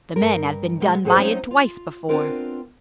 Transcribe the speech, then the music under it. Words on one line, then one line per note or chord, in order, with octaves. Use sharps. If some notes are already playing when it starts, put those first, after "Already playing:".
The men have been done by it twice before.
G2 A#4
B2 F#3 G#3
A2 F#3 G#4 A4 C5 G#5
F#3 A3 C4 C#4 D#4 C#5
F4
B3 C4 D4 F4 A#4